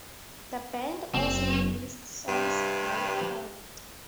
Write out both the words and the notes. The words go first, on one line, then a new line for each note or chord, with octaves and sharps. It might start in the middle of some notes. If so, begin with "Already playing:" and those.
The band also released songs via torrent.
F#1 C4
G2 C3